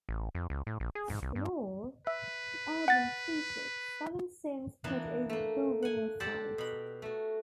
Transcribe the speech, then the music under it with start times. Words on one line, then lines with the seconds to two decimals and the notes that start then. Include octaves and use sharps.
In all, the album featured seven songs spread over four vinyl sides.
0.09 A1
0.35 F2
0.50 C#2
0.67 A2
0.80 A#1
0.95 G#4
1.10 G#2
1.23 C2
1.35 G2
2.07 B4 E5
2.88 F#5 A6
4.84 E3 A#3 B3 D4
5.29 A3 A#3
5.82 F#5 G#5
6.20 G4 A4 C5 D5 F#5 A5
6.58 B2 B5
7.02 A3 F#4